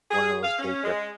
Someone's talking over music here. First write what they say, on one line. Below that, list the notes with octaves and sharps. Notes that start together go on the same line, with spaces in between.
one of those bigger
G#4
F5
C#4
G#3